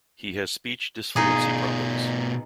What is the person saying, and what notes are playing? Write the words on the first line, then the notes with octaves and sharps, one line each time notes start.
He has speech disfluency problems.
B2 D#4 F4 G#4